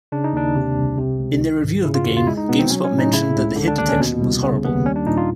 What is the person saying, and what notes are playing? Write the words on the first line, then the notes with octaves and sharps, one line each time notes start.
In their review of the game, GameSpot mentioned that the hit detection was horrible.
C#3 D4
D#4
D#2 D4
C3
C2
C3
C#2
D#3
G#2
C#3 E4
F4
E2 F#4
F4
G#3 E4
D#4
B2 B3
C4
F#3 C#4
C#4
A2
D#4
C#3 E4
C#2
D3
D4
D#2 D4
C#4
B2
C2
C#3 B3
D#2 B3
G3 C#4
D4
A#2 D#4
F4